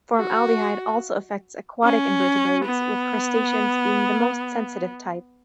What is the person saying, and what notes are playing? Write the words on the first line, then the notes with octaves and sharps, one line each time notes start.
Formaldehyde also affects aquatic invertebrates, with crustaceans being the most sensitive type.
F#4
C#4
B3